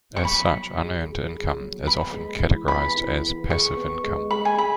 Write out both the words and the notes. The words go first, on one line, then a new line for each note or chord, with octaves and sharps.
As such, unearned income is often categorized as "passive income".
C#6
F#3 B5
F#3
G#4
G#4
G#4
F#3
B3 B5
G#3
E3
B3 B5
E3
B3
G#4 C#6
B3
G#3
G#3 B5
G#5
G#3 B5